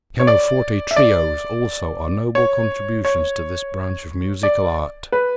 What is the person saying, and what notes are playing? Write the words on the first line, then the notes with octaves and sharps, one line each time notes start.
His pianoforte trios also are noble contributions to this branch of musical art.
C#5
D5
E5
D5
C#5
C#5
D5
B4